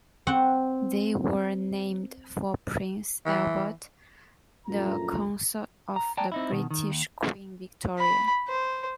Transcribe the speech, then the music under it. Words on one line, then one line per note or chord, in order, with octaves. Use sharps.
They were named for Prince Albert, the consort of the British Queen Victoria.
C4 F#5
E3
A#1 F#2 A3 F4 A#5
A#5
D5 G5 A5 A#5
C4 D#4 E4
B2 D#3
D#3
D#2
B5
C5